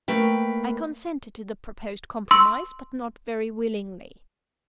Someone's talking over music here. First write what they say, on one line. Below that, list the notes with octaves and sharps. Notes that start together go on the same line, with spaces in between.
I consented to the proposed compromise--but not very willingly.
A3 A#3 B4 G5
C6 E6